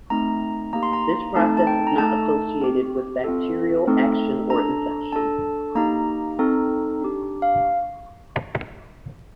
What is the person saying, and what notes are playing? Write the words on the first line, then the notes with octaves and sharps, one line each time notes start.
This process is not associated with bacterial action or infection.
A3 C4 D#4 A#5
A#3 D#4 G4 A#5
C6
A#5
A3 C4 D#4 A4 A5
A5
G5
A#5
A3 D#4 A4 A5
C4 G4
C4 F4 A4
A3 C4 D#4 A4
D4 A4 A#5
D4 A4 A5
A#3 D#4 G4 A#5
C4 D#4 A4
D4 G4
F5